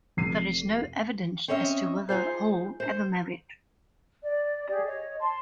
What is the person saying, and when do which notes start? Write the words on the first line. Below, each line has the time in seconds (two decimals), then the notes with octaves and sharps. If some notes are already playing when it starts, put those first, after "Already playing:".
There is no evidence as to whether Hall ever married.
0.17 F1 C7 D#7
1.48 C4 C#4 C#5 D#5 E5
2.09 D#4 F4 G#4 C5
2.80 C5
4.22 D5
4.68 G4 G#4 D5
4.86 C#5 D#5
5.20 A5 C6